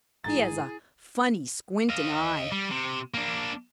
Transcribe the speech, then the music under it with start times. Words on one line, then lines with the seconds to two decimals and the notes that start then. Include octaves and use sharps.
"He has a funny, squinting eye."
0.24 A1 G#2 E4 G#4 A#5 A6
1.90 D#5 F5
2.52 G3
2.71 C3
3.14 A#3 D4